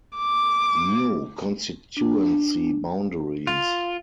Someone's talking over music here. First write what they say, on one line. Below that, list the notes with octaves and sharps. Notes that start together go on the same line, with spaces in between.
New constituency boundaries.
D6
D4
F4